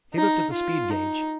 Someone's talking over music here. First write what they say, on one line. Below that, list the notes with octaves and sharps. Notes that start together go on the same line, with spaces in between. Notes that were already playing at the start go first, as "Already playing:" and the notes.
He looked at the speed gage.
D#4
F4
D#4